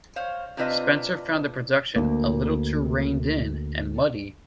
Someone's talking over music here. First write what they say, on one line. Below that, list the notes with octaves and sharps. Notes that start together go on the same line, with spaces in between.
Spencer found the production "a little too reigned in" and "muddy".
C5 C#5 F5
C3 C4 D4 F4 B4 D#5
D2 A#3